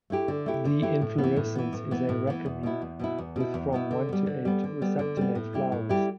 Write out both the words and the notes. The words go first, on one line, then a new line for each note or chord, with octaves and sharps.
The inflorescence is a raceme with from one to eight resupinate flowers.
A3 E4 G4
D3
A3 E4 G4
D3
A3 E4 G4
A2
B3
E3
A2
E3 B3
A2
E3 B3
A2
E3 B3
E2
B2 B3 E4
E2
B2 B3 E4
E2
B2 B3 E4
E2
B2 B3 E4
D3
G3 B3
D3
G3 B3
D3
G3 B3
D3
G3 B3
A2
G3 E4 G4
A2
G3 E4 G4